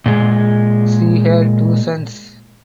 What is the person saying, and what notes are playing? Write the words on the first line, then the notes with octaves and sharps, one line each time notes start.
She had two sons.
A#2 G#3